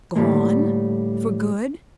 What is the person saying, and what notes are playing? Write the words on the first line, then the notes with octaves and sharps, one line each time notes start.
"Gone--for good?"
A2 D3 D#3 G3 G#3 A#3